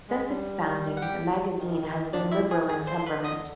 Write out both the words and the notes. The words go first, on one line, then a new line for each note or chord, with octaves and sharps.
Since its founding the magazine has been liberal in temperament.
G#3
G3
F#5
G4 G5
D#3
D4 D5
E4 E5
G#4 G#5
D3 G#4 G#5
C5 C6
C6
B4 B5
D#5 D#6